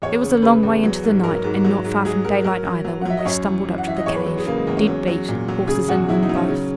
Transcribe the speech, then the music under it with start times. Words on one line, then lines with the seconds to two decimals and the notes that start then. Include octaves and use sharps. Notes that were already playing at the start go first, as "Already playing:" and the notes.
It was a long way into the night, and not far from daylight either, when we stumbled up to the cave--dead beat, horses and men both.
0.02 E2 C#5
0.23 C#3
0.42 C#3 B4
0.63 E2
0.84 F#3
1.03 G#2
1.24 F#3 A#4
1.44 G#2
1.65 F#3
1.85 G#2
2.05 F#3 G#4
2.25 F#3 A#4
2.44 F#3 A#4
2.65 F#3
2.85 F#3
3.01 F#5
3.05 F#3 E5
3.17 D#5
3.25 F#2 C#5
3.45 E3
3.66 E3
3.78 F#5
3.86 E3 E5
3.97 D#5
4.06 E2 C#5
4.16 B4
4.26 F#3
4.37 G#4
4.46 C#3 A#3
4.57 G#3
4.67 E2 A#3
4.77 C#4
4.88 F#3
5.08 F#3
5.28 A#2
5.48 F#3
5.68 C#3 G#4
5.88 E2 F#4
6.09 F#3 E4
6.23 D#4
6.29 F#3
6.35 C#4
6.48 C#3